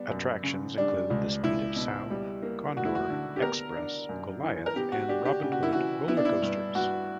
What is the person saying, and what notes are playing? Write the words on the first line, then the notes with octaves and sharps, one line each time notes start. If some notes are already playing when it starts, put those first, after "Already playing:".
Attractions include the Speed of Sound, Condor, Xpress, Goliath and Robin Hood roller coasters.
Already playing: G3 B3 D4
F#2
C#3
G3 D4
C#2
C#2 E4
B2
G3
A#3
D2 F#4
E4
F#4
D3
G4
B3 A#4
D4
F#2
E3
A#4
B3 G4
F#4
D4 G4
G4
C#3 G4
F#4
E4
E3 F#4
B3 E4
D4
E4
G2
G2 F#4